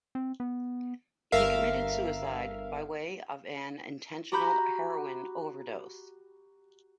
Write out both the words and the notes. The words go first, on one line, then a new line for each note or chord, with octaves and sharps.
He committed suicide by way of an intentional heroin overdose.
C4
B3
G1 A#4 E5 F5
F#4 G4 A#5 B5 G6